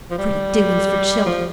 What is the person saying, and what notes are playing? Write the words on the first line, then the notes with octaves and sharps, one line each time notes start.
Pretty doings for children.
F3
G3
F3